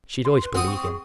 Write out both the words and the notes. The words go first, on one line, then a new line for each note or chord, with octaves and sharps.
She'd always believe him.
C6
B4
C4 F#5 D#6
C#6
G#4